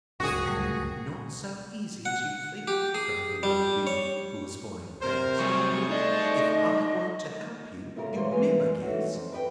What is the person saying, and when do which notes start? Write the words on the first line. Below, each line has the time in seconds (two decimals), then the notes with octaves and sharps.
'Not so easy as you think,' cried the little bee, who was flying past. 'If I weren't to help you, you'd never guess.
0.20 D1 G1 C#2 A#2 F#4 G#4 A#4
0.46 G3 A3
2.05 F#5
2.68 G4
2.95 G#4
3.43 G3
3.87 C#5
5.02 C3 A#4 C5
5.39 F#3 G3 A3 G#4 C5 C#6
5.89 A3 D#4 D5 D#5
7.96 A#2 C#3 A3 F4 F#4 A#4
8.16 E3 G#3 F4 A4 C5 C#5
8.31 E3 G3 G#3 A#3 G#5
8.81 E3 A3 D#4 F#4 C#5
9.12 F2
9.32 A#4 B4 D5 G5